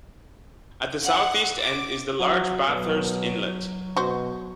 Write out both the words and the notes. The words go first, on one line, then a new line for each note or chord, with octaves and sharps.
At the southeast end is the large Bathurst Inlet.
F#5
D6
F#3
B2 F#3
B2 F#4 C5